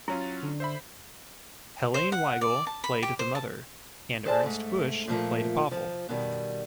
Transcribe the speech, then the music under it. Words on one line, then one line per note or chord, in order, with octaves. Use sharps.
Helene Weigel played the Mother and Ernst Busch played Pavel.
F#3 C#4 E4 F4
A6
D3
C5 E5 B5
C5
F#5
D5
A5
B5
G4
C5
A5
G#4 A4 C5 D5 F5 A5
G#2 A3
A#2 F3 A3 A#3
F3
B2 D#3 G3